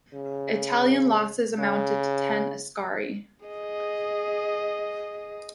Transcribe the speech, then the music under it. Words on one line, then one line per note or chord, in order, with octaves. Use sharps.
Italian losses amounted to ten askari.
C#3
C#3
G#4 D#5